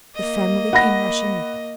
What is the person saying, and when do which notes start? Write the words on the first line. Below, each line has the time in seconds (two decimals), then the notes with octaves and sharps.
The family came rushing in.
0.15 A#3 D#5
0.73 F#5 B5 A#6